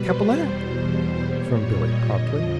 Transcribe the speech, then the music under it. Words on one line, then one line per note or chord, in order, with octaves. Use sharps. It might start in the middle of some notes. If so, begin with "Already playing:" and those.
"Capellette," from Billie promptly.
Already playing: B2 G3 B4 C5
E2 B2 G3
A#2 G3 C#5
D#5
F2 D3 F3